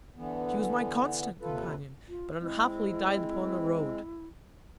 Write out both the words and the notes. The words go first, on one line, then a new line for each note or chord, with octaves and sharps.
She was my constant Companion; but unhappily died upon the Road.
D3 E3 B3
D#2 C3 F4 A4 B4
F4
G#3 C4 E4